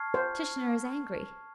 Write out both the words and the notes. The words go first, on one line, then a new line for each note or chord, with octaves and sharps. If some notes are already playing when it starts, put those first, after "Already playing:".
Tishnar is angry.
Already playing: A5 C#6 F6 G#6 C7
C5